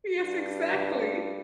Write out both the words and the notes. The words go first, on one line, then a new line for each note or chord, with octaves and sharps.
Yes, exactly.
G2